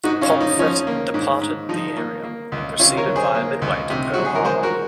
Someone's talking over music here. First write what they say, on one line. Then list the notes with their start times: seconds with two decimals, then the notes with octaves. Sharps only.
"Pomfret" departed the area and proceeded via Midway to Pearl Harbor.
0.04 G#2 D#4 F#4
0.21 C#4 F4
0.31 G#2
0.41 D#4
0.59 F3 C#4
0.87 A#3
1.14 G#2
1.41 G#2
1.69 F3 D#4
1.96 A#3
2.24 A#3
2.52 C#2
2.79 C3 C#4 F4
2.97 A#4 C#5
3.07 F#3
3.16 G#4 C5
3.35 A#3
3.62 C#2
3.90 C3
4.14 F#3 F#4
4.25 G#4
4.35 A#4
4.44 G#3 G#4 C5
4.63 F#4 A#4